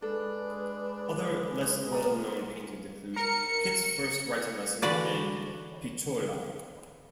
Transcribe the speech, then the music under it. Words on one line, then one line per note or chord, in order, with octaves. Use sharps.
Other less well known paintings include "Kit's First Writing Lesson" and "Picciola".
G#3 D4 A4 B4
A#3 D5 A#5
A#4 C#7
D3 E3 F#4 B4 D5